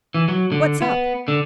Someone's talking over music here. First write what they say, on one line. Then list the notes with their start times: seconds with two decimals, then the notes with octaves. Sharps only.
What's up?
0.14 E3
0.28 F#3
0.52 D3
0.82 B3
1.28 D3